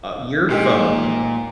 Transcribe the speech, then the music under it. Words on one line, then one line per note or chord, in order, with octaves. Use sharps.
uh, your phone
A#2 G#3 D#4 G4